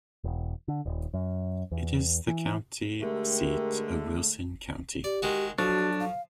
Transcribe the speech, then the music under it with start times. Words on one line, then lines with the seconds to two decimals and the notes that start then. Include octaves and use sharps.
It is the county seat of Wilson County.
0.24 E1
0.68 D3
0.86 D#1
1.14 F#2
1.72 E2
2.28 E3
3.01 D3 G#3 A3 G4 A#4
5.04 G4 D5
5.22 D#3 G#3 F#4
5.59 F3 F#3 D4 F#4 A4 C#6
6.00 F5